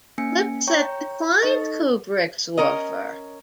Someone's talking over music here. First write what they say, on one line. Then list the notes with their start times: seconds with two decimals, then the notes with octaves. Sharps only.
Lipsett declined Kubrick's offer.
0.18 A#3 C#4 G#5 C#7
0.67 C#5 G5 A#5 C#6 G6
1.42 D#4 A4 D#5 C#6 A6
2.57 C#4 A#4 D#5